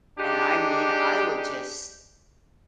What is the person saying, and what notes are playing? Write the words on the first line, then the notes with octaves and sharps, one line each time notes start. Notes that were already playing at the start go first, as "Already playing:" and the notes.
and I mean, I would just
G#3 D4 D#4 G4